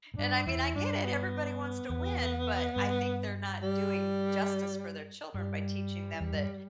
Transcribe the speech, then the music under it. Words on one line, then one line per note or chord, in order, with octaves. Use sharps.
and I mean, I get it. Everybody wants to win, but I think they're not doing justice for their children by teaching them that,
A2
G2 D4
E2 E4
G2 D4
B3
E2
G2
G3
G2 G3
E2
G2